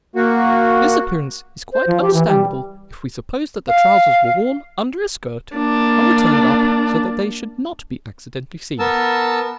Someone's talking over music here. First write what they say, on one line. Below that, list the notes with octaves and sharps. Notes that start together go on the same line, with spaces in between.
This appearance is quite understandable if we suppose that the trousers were worn under a skirt and were turned up so that they should not be accidentally seen.
A#3 F#4
C5
F3
G4
E3
G3
F5
A#3 D4
B3 A#4 A5 E6